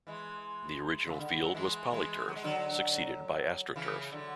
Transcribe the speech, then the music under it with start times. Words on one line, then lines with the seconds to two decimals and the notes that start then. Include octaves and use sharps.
The original field was Poly-Turf, succeeded by AstroTurf.
0.07 E3 G#3
1.07 C#3
1.19 D3
1.31 E3
1.42 F#3
1.55 E3 G#3
1.91 E3 G#3
2.28 F#3
2.36 G#3
2.44 D3 F#3
3.76 C#3 E3
4.12 D3 F#3